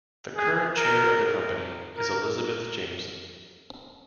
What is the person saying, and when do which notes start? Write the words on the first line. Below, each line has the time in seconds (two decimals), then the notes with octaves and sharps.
The current chair of the Company is Elizabeth Jameson.
0.36 G#4
0.77 A#4
1.98 A#4